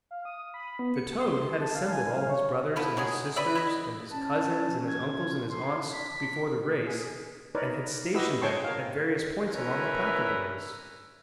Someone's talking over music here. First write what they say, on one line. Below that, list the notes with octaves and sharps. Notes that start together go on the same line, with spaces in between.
The toad had assembled all his brothers and his sisters and his cousins and his uncles and his aunts before the race and had stationed them at various points along the path of the race.
F5
D#6
B5
B3
C#7
C6
A5
F5
G#5
F5
C#5
F3 B3 E4
F#3 G#3 G#4
B4 D5 E5
E4 D#5
C#4 A5
G#6
D4 C6
B6
G#4
D#4 A#4 B4 C#5 D5
E4 F#4 G4 B4 D#5 E6
G#4 C#5 G5 A5 C6 C#6
A#4 C#5 F5
C#4 D4 E4 A#4 B4 E5